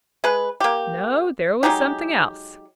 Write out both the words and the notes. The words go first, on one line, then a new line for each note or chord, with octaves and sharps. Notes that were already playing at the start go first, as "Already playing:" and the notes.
No, there was something else!
G#3 B4
A#3 G4
F#3 G#3 D#4 G4